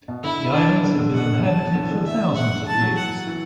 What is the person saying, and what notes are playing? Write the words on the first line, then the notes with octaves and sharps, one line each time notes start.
The islands have been inhabited for thousands of years.
B2
D3 E4
D4
D3
D3
B2 F#5
D3
B2
A5
D3
E3
D3
E5
F#5
A5
E3
F#3
F#5
E3